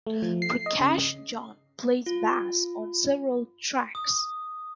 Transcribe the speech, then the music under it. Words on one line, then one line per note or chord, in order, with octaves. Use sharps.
Prakash John plays bass on several tracks.
A3
F3
C7
D#5
C#3
F4
D#6